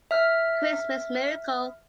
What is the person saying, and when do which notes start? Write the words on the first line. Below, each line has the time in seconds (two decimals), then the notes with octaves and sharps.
Christmas miracle.
0.11 E5 F6